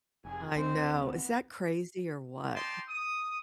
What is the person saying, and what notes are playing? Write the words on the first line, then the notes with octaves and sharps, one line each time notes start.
I know, is that crazy or what?
F1 G#4 G#5
D2 C4 C5 D#5
B3
D#4 D5 G5 A5 C6
D#6